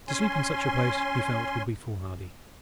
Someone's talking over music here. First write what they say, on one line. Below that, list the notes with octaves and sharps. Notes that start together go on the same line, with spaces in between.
To sleep in such a place, he felt, would be foolhardy.
C#4 G#5 C6